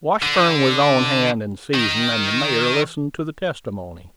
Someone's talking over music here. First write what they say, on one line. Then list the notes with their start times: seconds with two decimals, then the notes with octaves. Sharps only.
Washburn was on hand in season, and the mayor listened to the testimony.
0.23 D3
1.74 D#3